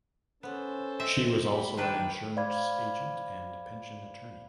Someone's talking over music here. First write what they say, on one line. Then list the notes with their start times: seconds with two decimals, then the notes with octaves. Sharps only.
She was also an insurance agent and pension attorney.
0.43 B3 C#4 A4 C5
0.99 C4 D#5 E5
1.46 G3 B5
1.77 D#3 D4 B4 G5
2.36 C5 D5 F5 B5 G#6